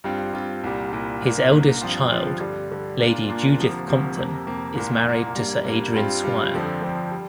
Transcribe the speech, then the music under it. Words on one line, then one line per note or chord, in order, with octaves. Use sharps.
His eldest child, Lady Judith Compton, is married to Sir Adrian Swire.
G2 G3 C4 F4
G2 G3 C4 F4
C2 A#2 G3
C2 A#2 G3
C2 A#2 A#3
C2 A#2 A#3
G2 F3 C4 F4
G2 F3 C4 F4
G2 D3 G3
G2 D3 G3
A#2 A#3 D4 F4
A#2 A#3 D4 F4
D2 C3 F3 A#3
D2 C3 F3 A#3
F2 C3 A#3
F2 C3 A#3
C2 A#2 A#3
C2 A#2 A#3
G2 G3 A#3
G2 G3 A#3
G2 G3 C4 F4
G2 G3 C4 F4
F2 D3 F3 C4
F2 D3 F3 C4
G3